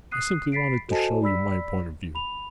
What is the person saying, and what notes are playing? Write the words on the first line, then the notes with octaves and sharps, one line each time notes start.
I simply wanted to show you my point of view.
D#6 F#6 C7 D#7
B5 A6 B6 C7 D7
F#4 A4 C5 D#5 G#5 A5
D5 B5 E6 B6
B5 F7